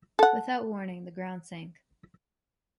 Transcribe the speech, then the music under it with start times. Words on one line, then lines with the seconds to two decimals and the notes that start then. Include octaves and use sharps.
Without warning, the ground sank.
0.19 A4 F#5